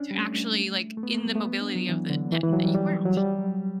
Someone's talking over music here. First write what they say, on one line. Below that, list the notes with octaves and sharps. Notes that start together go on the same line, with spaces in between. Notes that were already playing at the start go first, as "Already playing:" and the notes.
To actually, like, in the mobility of the n that you weren't.
Already playing: C#4 D4
G3
A3
A3
B3
A3
G3
A3
B3
D4
F#3
E3
D3
E3
E3
F#3
G3
G3
F#3
G3
F#3